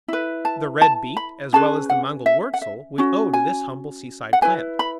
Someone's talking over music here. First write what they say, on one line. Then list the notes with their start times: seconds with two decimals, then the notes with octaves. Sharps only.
The Red Beet, as well as the Mangel-wurzel, we owe to this humble seaside plant.
0.08 E4 B4
0.45 A5
0.81 A5
1.17 B5
1.53 C#4 G#4 B4 A5
1.90 F#5
2.26 E5
2.54 F#5
2.62 E5
2.98 C#4 F#4
3.33 G#5
4.33 F#5
4.42 E4 B4 G#5
4.79 B5